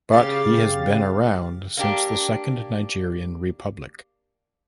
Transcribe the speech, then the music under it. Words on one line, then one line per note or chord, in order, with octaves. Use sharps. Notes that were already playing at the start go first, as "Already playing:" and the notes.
But he has been around since the Second Nigerian Republic.
C#3 G4 F5 A6
A#3 D4 G4